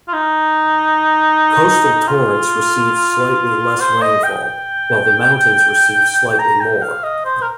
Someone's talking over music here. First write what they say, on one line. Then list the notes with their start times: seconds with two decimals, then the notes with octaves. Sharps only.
Coastal Torrance receives slightly less rainfall, while the mountains receive slightly more.
0.08 F4
0.13 D#4
2.07 F4
3.80 C5
4.02 D#5
4.23 G5
4.44 G5
6.39 A#5
6.61 G5
6.82 F5
7.04 D#5
7.25 C5
7.42 A#4